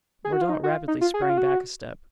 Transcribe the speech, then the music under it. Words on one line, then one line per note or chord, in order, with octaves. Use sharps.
Mordaunt rapidly sprang back a step.
G#4
F#4
F4
D#4
F#4
F4
D#4
F4
G#4
F#4
F4
F#4